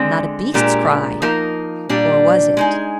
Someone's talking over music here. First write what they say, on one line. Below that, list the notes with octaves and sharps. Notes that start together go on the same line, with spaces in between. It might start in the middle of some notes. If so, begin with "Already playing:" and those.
Not a beast's cry--or was it?
Already playing: D3 G#3 C4
A#2 G#3 D4 G4 A#4
F3 A#3 D#4 A#4
A#2 G3 D4
G#3 D#4 G#4